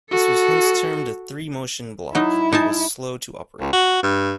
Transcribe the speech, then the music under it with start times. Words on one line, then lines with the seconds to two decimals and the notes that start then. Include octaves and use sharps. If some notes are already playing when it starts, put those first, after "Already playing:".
This was hence termed a "three motion block" and was slow to operate.
0.11 F#4 A4
2.15 F#3 D#4 E4
2.52 D#4 G#5 A5
3.60 C#2
3.73 F#4
4.03 G2